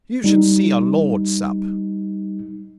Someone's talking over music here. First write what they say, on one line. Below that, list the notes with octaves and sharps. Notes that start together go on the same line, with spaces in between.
You should see a lord sup.
G3 D#4